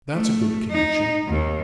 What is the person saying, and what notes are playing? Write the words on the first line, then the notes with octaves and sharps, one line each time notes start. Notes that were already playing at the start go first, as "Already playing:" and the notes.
'That's a good connexion!
A3
D#4
D#2